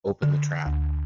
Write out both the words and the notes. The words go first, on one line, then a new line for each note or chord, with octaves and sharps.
Open the trap.
D3
D2